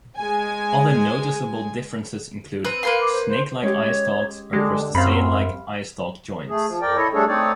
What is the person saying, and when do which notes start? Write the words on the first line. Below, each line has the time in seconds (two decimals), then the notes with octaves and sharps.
Other noticeable differences include snakelike eyestalks or crustacean like eyestalk joints.
0.17 G#3 G#5
2.65 C4 B4
2.83 A#3 B4 F5 C6
3.01 D6
3.12 C5
3.28 C5
3.62 G#3 C#4 G4 C#5
4.53 D3 G#3 G4
4.95 F#2 C4 F5 B5
6.49 A3 G#4
6.67 F3
6.82 F2 A#4 D5 G5
6.97 E4 A4 C#5 D#5
7.13 G3 A3 D4 G#4 A4 C#5
7.28 A3 C4 D#4 C#5 D5